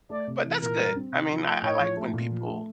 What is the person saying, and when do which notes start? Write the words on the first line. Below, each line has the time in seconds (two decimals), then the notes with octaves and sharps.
But that's good. I mean, I I like when people,
0.10 A3 D5
0.27 C3
0.44 E3
0.61 A#2 A#4
0.79 G3
0.96 C4
1.12 C3
1.29 F3
1.45 A3
1.62 A2 C#5
1.79 F3
1.97 A3
2.14 A#2
2.30 F3
2.47 A3